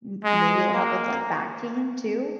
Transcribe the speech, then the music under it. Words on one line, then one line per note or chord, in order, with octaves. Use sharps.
M maybe it'll help with, like, back pain, too?
G#3
A#3